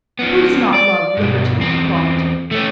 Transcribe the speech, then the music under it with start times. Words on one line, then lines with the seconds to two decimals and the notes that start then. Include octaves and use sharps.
Who does not love liberty and equality?
0.19 F3 B3
0.74 D5
1.17 G2 B2
1.61 E2 C4
2.51 A3 C#4